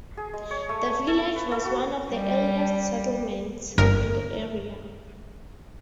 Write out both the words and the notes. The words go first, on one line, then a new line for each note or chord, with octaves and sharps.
The village was one of the earliest settlements in the area.
G#4
G#3
C#5
A3
G#5
A4
B4
A4
F#4
G3
G1 A#4